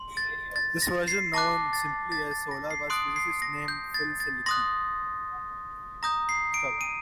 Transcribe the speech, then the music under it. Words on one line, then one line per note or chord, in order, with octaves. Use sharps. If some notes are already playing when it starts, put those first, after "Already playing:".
This version, known simply as Solar, was a physicist named Phil Seleski.
Already playing: C6
A6
A6
A#6
C7
A5 D6 F#6 A#6
A6
A6
A6
A#6
C7
C6 D#6 F#6 D7
C7
A#6
G6
A6
A6
C6 D#6 F#6 A#6
A#5 D#6 G6 A#6
C7
D7
D#7